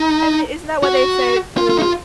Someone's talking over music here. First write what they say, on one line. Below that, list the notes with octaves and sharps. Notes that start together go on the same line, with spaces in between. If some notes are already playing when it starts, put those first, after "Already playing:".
I mean, isn't that what they say through
Already playing: D#4
F#4
F4
F4
D#4
F4